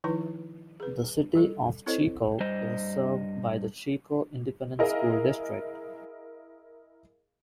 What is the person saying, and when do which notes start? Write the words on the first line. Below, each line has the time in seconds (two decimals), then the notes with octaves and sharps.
The City of Chico is served by the Chico Independent School District.
0.04 D#3 F3 D#4 E4 B4
0.80 G#4 B4
1.35 G3 A4
1.86 C4 E4 A4 C5 C#5 D#5
2.40 G2 G3 C5 D#5
4.79 E4 G#4 A#4 D#5 F5